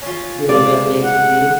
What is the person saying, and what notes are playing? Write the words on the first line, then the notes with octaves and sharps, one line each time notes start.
really resonates with you?
C#4 F4
C#2 D5 F5
F#5